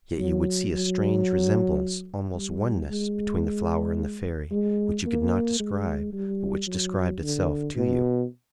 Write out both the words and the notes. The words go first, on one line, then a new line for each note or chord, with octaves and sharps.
Yet you would see a strange resemblance, almost oneness, between the flower and the fairy, which you could not describe, but which described itself to you.
F#3
F#3
G3
G#3
G#3
A#3
G#3
G3
F#3
D3
B2